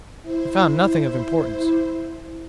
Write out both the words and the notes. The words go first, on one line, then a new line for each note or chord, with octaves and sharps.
They found nothing of importance.
E4 C5